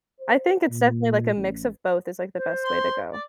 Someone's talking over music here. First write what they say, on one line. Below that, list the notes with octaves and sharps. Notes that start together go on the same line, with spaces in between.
I think it's definitely like a mix of both is, like, the best way to go,
C5
A#2
A1
C5
C6
D5